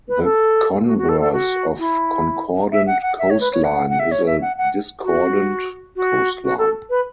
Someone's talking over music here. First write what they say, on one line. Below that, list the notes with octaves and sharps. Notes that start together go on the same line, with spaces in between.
The converse of concordant coastline is a discordant coastline.
B4
A4
F#4
F#4
A4
A4
F#4
E4
E5
F#5
F#5
E5
C#5
B4
C#5
F#5
F#5
E5
C#5
E5
F#5
F#5
F#4
F#4
F#4
A4
B4